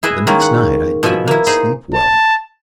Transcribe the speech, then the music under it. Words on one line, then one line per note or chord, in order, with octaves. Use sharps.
'The next night I did not sleep well.
E4 G#4 B4 D#5 E5
D#3 G#3 A#3 C#4
F#5
B2 F3 E5 G#5 B5
A#3 E4
D#4 G#4 C5
A5